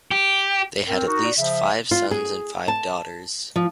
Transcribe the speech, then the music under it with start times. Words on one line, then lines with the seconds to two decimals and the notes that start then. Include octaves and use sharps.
They had at least five sons and five daughters.
0.11 G4
0.88 C4 A#4
1.07 D#4 F#4
1.24 D5
1.37 C#3 F3 E5
1.91 F4
2.11 G#4
2.68 A5
3.56 F3